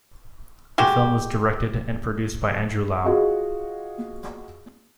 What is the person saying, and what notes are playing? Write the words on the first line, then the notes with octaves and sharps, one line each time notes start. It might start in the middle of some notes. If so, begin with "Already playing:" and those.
The film was directed and produced by Andrew Lau.
G#3 F#4 G4
F4 F#4 G#4 D#5 F5